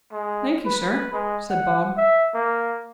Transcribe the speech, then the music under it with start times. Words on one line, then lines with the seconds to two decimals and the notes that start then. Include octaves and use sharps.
'Thankee sir,' said Bob.
0.12 G#3
0.66 B4
1.13 G#3
1.50 F#5
1.97 E5
2.34 A#3